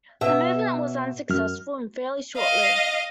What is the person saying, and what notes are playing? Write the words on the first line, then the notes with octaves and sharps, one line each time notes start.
The movement was unsuccessful and fairly short-lived.
B2 E5
F#2 F6
D#5 F5